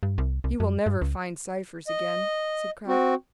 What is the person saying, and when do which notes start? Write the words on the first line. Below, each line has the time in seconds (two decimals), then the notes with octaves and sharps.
"He will never find Cypher's again," said Kraft.
0.03 G2
0.18 C2
0.44 C2
0.60 F#2
0.86 G2
1.01 C#2
1.88 D#5
2.87 C4 F#4